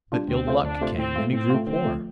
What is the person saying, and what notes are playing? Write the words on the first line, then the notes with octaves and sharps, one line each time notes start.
But ill luck came, and he grew poor.
G3 D4 F4
D2 C4
C3 A3 F4 C5
D2 D4
C3 A3 F4 C5
A2 C4
A3 F4
A2 C4
A3 F4
D3 C4
F3 A3